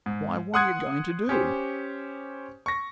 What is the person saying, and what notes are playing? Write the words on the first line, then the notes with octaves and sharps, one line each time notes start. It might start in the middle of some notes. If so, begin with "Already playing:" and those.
"Why, what are you going to do?"
G#2
F#5 C6 D#6 F#6 G#6
C#4 G4 C5
C#6 A#6